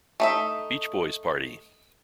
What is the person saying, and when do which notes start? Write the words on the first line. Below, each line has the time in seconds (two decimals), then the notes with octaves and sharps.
Beach Boys' Party!
0.20 A3 D#4 E5